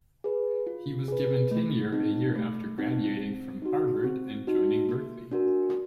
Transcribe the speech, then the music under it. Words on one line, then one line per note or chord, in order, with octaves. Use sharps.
He was given tenure a year after graduating from Harvard and joining Berkeley.
G#4 B4
F4
G#4 B4
A3
C4 D#4
A3
C4 D#4
C4
D#4 F#4
C4
D#4 F#4
A#3
D4 F#4 A#4